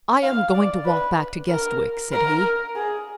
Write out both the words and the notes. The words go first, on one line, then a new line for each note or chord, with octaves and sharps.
"I am going to walk back to Guestwick," said he.
F5
D5
B4
A#4
A#4
G#4